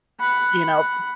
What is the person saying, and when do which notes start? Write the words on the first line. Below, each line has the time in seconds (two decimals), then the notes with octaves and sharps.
you know,
0.20 F#5 B5